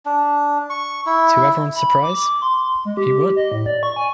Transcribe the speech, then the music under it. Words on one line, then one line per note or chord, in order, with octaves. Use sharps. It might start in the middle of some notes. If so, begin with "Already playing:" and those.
To everyone's surprise, he won.
D4
C#6
E4
B5
D6
C6
G#3
G4
D#5
A2
D5
C#6
G#5